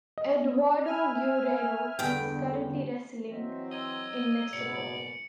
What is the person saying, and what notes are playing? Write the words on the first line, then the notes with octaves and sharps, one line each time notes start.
Eduardo Guerrero is currently wrestling in Mexico.
D#5
E5 G#5 F6
E2 G2 D3 B3 G5
E3 F#3 C4 D#5 E5
D#5 A#5 E6 G#6
F#1 G#2 B2 D5 C#7